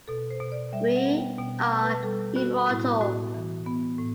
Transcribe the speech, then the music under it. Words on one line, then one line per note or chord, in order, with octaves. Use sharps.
We "are" immortal!
B2 A4
C5
B2
D5
G3 E5
F#5
B3
G5
B2 G5
F#5
B2
B4
G3 A4
B3 F#4
A2 E4
A2 F#4
E3
B3
A2